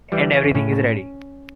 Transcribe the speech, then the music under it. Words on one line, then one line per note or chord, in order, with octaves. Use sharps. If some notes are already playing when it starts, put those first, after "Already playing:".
And everything is ready.
E3 G3
C#4
A2 C#4